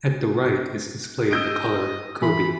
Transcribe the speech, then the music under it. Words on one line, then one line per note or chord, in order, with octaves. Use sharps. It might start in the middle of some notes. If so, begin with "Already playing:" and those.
At the right is displayed the color kobi.
D#5 E6 G6 D7
E3 B5